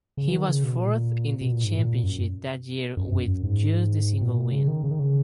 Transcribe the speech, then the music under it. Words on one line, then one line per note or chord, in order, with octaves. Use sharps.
He was fourth in the championship that year with just the single win.
C#3
E3
D#3
C#3
B2
A#2
B2
A#2
G#2
A#2
F#2
F#2
F#2
F#2
G#2
A#2
B2
C#3
D#3
C#3
D#3
C#3